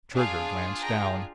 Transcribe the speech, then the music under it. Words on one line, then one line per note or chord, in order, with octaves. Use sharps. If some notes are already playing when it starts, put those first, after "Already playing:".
Trigger glanced down.
D4 F4 G#4 F5 G#5
G5 A#5